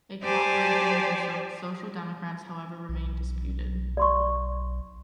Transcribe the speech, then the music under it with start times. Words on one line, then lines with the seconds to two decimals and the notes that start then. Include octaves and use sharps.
A cooperation with the Social Democrats, however, remained disputed.
0.23 G4 C5 D5 G#5 A5
2.89 B1
3.97 D5 C6 C#6